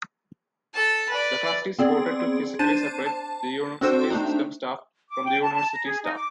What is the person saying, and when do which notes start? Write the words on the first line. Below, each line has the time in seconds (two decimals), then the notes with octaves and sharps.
The trustees voted to physically separate the University System staff from the University staff.
0.75 A4 A5
1.10 B4 D5
1.79 B3 C4 G#4 D5
2.59 D4 C5 A5 A6 D#7
3.06 A5
3.81 C4 D4 F#4 A4 C5 G5
4.10 A3 D4 D#4
5.10 D6
5.25 G5
5.42 A5
5.54 A5
5.73 A#5
5.86 G#4
6.04 D#4
6.15 D6